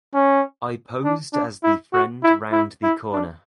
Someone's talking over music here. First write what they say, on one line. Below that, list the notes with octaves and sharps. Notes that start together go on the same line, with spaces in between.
I posed as the friend round the corner.
C#4
D4
D4
E4
F#4
E4
E4
E4
D4